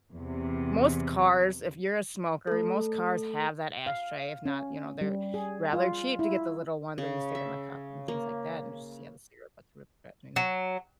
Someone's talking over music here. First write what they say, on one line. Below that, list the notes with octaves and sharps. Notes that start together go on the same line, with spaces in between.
most cars, if you're a smoker, most cars have that ashtray. If not, you know, they're rather cheap to get the little ones that you stick in the cup and things like that and just see how the cigarette butts rip that thing
E2 C3
A3 A4
F5
C#4
G3
G#4
F4
E4
C#3
E5
A#3
F#3